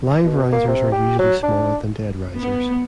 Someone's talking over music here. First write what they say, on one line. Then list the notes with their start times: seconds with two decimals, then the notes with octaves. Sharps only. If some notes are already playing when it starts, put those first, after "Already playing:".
Live risers are usually smaller than dead risers.
0.24 B2
0.52 A#3
0.68 C3
0.92 G4
1.19 F#3
1.43 D4
2.36 B3